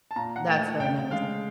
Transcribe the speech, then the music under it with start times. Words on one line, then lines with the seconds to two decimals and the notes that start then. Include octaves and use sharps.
That's very nice,
0.11 A5
0.16 A#2 A#5
0.36 F#5
0.48 A3 G5
0.80 C#3 G5
1.11 G#3 F5